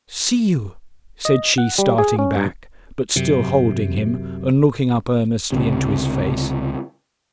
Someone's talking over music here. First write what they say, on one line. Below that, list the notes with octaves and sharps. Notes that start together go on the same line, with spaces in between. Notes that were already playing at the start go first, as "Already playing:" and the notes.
'See you!' said she, starting back, but still holding him and looking up earnestly into his face.
D#5
F#5
G3
G#4
C#4
G2
F#2 C3
C#2 C3